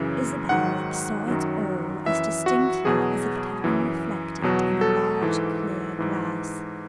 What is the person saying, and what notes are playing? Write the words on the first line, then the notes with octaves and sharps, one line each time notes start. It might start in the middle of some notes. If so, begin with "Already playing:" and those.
Isabel saw it all as distinctly as if it had been reflected in a large clear glass.
Already playing: F#2 C#3 E3
G#2 D#3 F#3 F#5
F#2 D#3 F#3
F#2 E3 E5
F#4
E2 B2 F#3 G#4
F#2 E3
E2 B2 F#3
A4
G#2 E3
G#2 E3